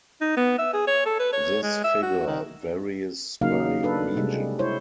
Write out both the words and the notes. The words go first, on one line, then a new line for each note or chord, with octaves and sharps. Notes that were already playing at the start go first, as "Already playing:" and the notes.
This figure varies by region.
D#4
B3
E5
G#4
C#5
A4
B4
C#5
G#3
E5
F#4
D#3
C#3 F#3 A#3 D#4 F5
D4 A4 B4
C3 G3 G#3
E4 C5 C#5